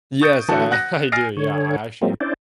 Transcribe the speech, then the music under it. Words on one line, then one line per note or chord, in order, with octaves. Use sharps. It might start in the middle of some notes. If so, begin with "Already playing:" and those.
Yes, I I do, yeah, I actually
C#6 D#6 G6 A6 C#7 D7
D3 E3 A3 F#4 A4
F#5 F#6 A#6
G#5 F6 A6 A#6 C7 D7
D3 C#5
F#3 G#3 A#3 C4
C#4 D4 E4 C5 D5